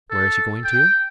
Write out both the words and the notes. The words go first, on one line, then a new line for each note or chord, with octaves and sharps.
Where is he going to?
A4
G5